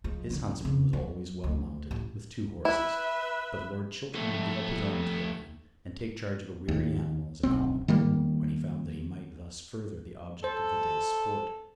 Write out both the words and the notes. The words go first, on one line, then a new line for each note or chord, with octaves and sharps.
His huntsman was always well mounted, with two horses; but Lord Chiltern would give up his own to the man and take charge of a weary animal as a common groom when he found that he might thus further the object of the day's sport.
F3 G#3
D3 D4
F2 C#3
F#3
D2
A1
E4 B4 E5
F2 A3
D#2
D1 B1 C4
D#3 G3 A#3
A4 C5